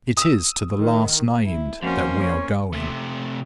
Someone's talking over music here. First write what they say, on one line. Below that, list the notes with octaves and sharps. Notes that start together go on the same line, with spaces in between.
It is to the last-named that we are going.
D#6 E6
D#3
E4
F2 A#3 C#4 F#4 C5
C#5
C3 A3